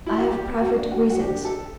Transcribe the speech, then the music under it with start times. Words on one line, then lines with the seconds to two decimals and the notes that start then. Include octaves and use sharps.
"I have private reasons."
0.06 E4
0.18 F#4
0.30 G3 G4
0.60 F#4
0.76 D4
0.91 F#4
1.10 F#4
1.21 D4 G4
1.45 A4